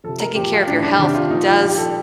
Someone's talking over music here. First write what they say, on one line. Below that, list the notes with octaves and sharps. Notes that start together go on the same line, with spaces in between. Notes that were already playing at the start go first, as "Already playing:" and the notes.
taking care of your health does
C3 F3 A4
A#4
A#2 F3 G4
F4
A2 F3 D4
D4
C3 D#3 D4
F4
A#2 F3 D#4
F4
A#2 F3 G4
A4